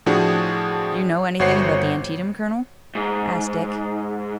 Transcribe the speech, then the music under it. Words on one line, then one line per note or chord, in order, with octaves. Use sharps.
"Do you know anything about the Antietam, colonel?" asked Dick.
A2 F3 D4 F#4 G#4
G1 F#4 C5 C#5 F#5 C7
G#2